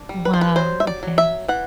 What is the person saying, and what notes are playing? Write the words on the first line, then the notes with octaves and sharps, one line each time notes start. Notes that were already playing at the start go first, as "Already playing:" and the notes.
Wow, okay.
Already playing: D4
G3
B4
C5
B4
F#3 C5
E5
D5
F#3
E5
E3 F#5